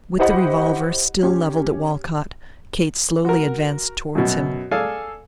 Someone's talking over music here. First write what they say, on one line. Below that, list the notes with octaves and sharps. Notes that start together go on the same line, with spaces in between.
With the revolver still levelled at Walcott, Kate slowly advanced towards him.
E4 G4 C5 D#5 F#5 B5
C#4 G4
F#4 A#4
F#2 B2
G#4 A4 D5 F5 G#5